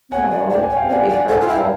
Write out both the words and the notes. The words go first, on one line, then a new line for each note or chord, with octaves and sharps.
Oh, that's gotta be hurtful.
C#5 F#5 G#5
D5
D5 G5
G#5
C#5
F5 G5
D5 F#5 G#5
D5 F#5 G#5
A4 F#5 G#5
F4
E4 F5 G5